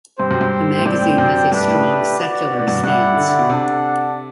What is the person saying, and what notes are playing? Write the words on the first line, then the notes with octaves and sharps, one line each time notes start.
The magazine has a strong secular stance.
G2 C4 G4 C5
F#2
G2
A2
G2 C4 G4 D5 G5
A2
F#2
G2 A3 D4 G4 B4
A2
F#4 B4 D5
B2
A2
G2
F#2
G2 E4 G4 D5 F#5
D3
D3
B2
C3 D4 A4 D5 F#5